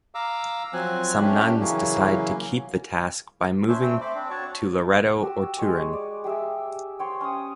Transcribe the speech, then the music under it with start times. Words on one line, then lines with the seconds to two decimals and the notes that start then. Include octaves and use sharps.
Some nuns decide to keep the task by moving to Loreto or Turin.
0.15 F5 A#5 D6 E6
0.73 F3 F#3 C4 G#5 F#6
1.21 G3 A3 C#4 D4 G4
1.60 C#3 E3 F#3 A#3 C#4
3.68 C#4 D4 C5 E5
3.82 A3 C4 G5
4.01 A3 C5 B5 D6
4.15 C4 D4
4.30 F#4 C#5 A5 C#6
5.21 F#4 G4 E6
5.57 G#3 C#5 G#5
5.93 D5
6.24 G4 G#4 E5
6.99 C5 C#5 G5
7.21 C#4 D#6